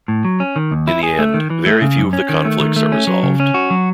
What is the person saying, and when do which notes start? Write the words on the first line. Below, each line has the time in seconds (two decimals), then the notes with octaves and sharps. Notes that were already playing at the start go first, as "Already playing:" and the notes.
In the end, very few of the conflicts are resolved.
0.08 A2
0.25 F#3
0.40 C#4
0.56 D#3
0.71 D#2
0.87 E4
1.03 G#4
1.19 A3
1.34 D#3
1.50 E3
1.66 A3
1.82 C#3
1.97 F#2
2.13 C#4
2.29 D#3
2.45 A3
2.60 D#3
2.76 A3
2.92 C#4
3.07 F#3
3.23 C#3
3.40 C#4
3.54 F#4
3.71 F#3